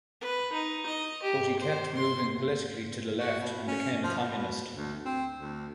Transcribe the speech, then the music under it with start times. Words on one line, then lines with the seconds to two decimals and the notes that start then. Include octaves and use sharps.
But he kept moving politically to the left and became a Communist.
0.21 B4
0.52 D#4
0.86 D#5
1.23 G4
1.59 C5
1.94 C6
3.19 F#4
3.40 B2
3.68 C#4
4.04 F3
4.18 B2
4.73 D2
5.05 C4
5.38 D2